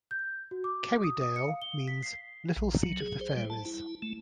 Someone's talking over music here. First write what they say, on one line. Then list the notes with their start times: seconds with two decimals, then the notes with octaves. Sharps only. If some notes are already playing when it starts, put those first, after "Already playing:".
Kerrydale means "little seat of the fairies".
0.11 G6
0.51 F#4
0.64 D6
1.04 D#6
1.22 D#6
1.36 C#7
1.48 F5
1.62 G7
1.88 B6
2.03 C7
2.56 A#1
2.83 F#3
3.00 G#4
3.21 C5
3.37 G3
3.50 A5
3.65 E4
4.02 A3